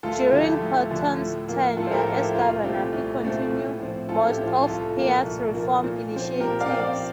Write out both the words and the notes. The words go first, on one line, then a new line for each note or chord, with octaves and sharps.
During Horton's tenure as governor, he continued most of Peay's reform initiatives.
D2 F4 A4
D3 F3 A3 E4 G4
D2
D3 F3 A3
A2
F3 A#3
A2 F4 A4
C5
G4 A#4
F3 A#3 F4 A4
E4 G4
C2 F4
A#2 A3 C4 E4 G4
C2
A#2 A3 C4
A2
F3 C4
A2 F4 A4
E4 G4
F3 C4
F4
C2 F4 A4
A#2 F3 A#3
C2
A#2 F3 A#3
A#2
F3 C4
A#2 G4 A#4
D5 F5
F3 C4 G5
D5 F5